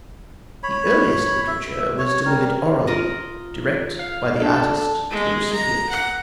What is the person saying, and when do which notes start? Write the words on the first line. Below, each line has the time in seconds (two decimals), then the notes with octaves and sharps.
The earliest literature was delivered orally direct by the artist to the recipient.
0.63 C#5 B5
1.48 E5
1.98 C#5
2.26 G3 A#4
2.87 F4 A#4 D#5
3.99 F5
4.40 D4 A4
5.11 G#3
5.53 A#5
5.90 F#5